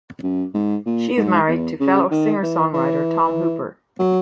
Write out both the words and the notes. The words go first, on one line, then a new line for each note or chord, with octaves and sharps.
She is married to fellow singer-songwriter Tom Hooper.
F#2
G#2
A#2
G#2
E2
C#3
D#3
E3
E3
F#3